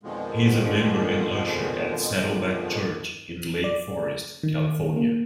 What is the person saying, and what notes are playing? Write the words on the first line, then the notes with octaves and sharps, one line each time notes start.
He is a member and usher at Saddleback Church in Lake Forest, California.
F2 B2 D3 D#3 F3 G#3
D5
D#3
A#3